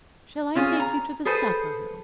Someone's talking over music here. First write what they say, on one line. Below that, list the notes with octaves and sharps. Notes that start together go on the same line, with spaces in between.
Shall I take you to the supper-room?'
C4 C#4 F4 G#4
A#5
G#4 A4 B4 C5